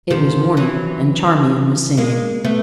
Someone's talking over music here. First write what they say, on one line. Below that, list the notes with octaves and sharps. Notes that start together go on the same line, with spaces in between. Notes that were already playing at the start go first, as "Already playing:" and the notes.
It was morning, and Charmian was singing.
D#3 F3
E3 F#3
G#3 A#3
A3 B3